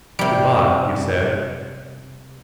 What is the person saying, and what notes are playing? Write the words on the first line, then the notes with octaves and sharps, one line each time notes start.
"Good-bye," he said.
C3 G3